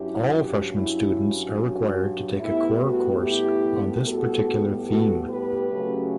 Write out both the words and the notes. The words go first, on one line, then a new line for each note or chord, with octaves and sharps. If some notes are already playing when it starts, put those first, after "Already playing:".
All freshmen students are required to take a core course on this particular theme.
Already playing: G2 F#3 C#4 E4 G4
E4
F#4
A2 G3 B3 E4
F#4
E4 G4
F#4 A4
F#4 A4
G4 B4
C#3 F#3 A3 C#4